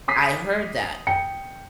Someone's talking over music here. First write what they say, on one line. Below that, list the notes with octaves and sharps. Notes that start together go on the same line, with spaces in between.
I heard that,
D6 D#6 B6 C7
G5 C#7